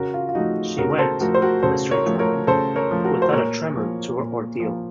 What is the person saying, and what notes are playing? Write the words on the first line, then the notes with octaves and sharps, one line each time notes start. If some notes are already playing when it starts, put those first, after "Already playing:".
She went, the strange woman, without a tremor to her ordeal.
Already playing: C#3 F#4 A#4
F4
F4
F3 A3 D#4 F#4
C#3 F#4 A#4
A#4
A4 C5
F3 A3 F#4 A#4
C5
F#4 A#4
C#3 A4 C5
A#4 C#5
F3 A3
A#4 C#5
C#3 A4 C5
A#4 C#5
F3 A3
F#4 A#4
C5
A#2 A#4 C#5
F3 A#3
A#2
F3 A#3